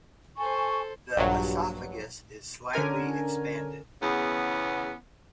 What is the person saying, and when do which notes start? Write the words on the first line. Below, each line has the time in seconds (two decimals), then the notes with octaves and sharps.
The esophagus is slightly expanded.
0.38 A4 C5 G#5 C#6
1.16 A#1 G2 F#3
2.73 D3 C#4 A#4 G#5
4.02 E2 C#3 B3